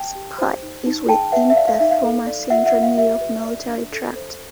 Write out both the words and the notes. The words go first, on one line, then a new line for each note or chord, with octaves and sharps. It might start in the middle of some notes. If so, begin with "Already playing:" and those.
Scott is within the former Central New York Military Tract.
Already playing: G5 A5
G4
C5
D#4
D#4
G#4 G5 A5
B4 E5 F#5
E5
D5 F5
F5
D#4 E5
F5
A4
D5
F4 E5 F#5
E5 F#5
F4
F5
G4 E5
B4
D5
D4
A4
C5